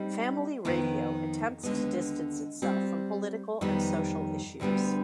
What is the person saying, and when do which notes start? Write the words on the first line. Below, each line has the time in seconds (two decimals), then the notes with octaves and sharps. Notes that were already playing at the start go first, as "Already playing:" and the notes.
Family Radio attempts to distance itself from political and social issues.
Already playing: G3 C4 D#4
0.65 F2 D#3 B3
1.63 D#2 D3 G#3 B3
2.62 G3 C4 F4
3.61 F2 D#3 G3 B3
4.60 D2 D3 G3 B3 D4